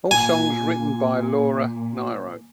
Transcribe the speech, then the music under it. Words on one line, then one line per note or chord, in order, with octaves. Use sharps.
All songs written by Laura Nyro.
A#2 G#5